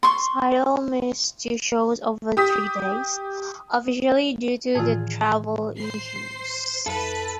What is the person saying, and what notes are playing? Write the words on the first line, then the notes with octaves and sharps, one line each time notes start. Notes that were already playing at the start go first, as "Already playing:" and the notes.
Sydal missed two shows over three days, officially due to "travel issues".
C6 C#6
G4 D#6 B6
A2 D#3 E3 F4 G#4
C5 C7
F2 F#3 A4 B4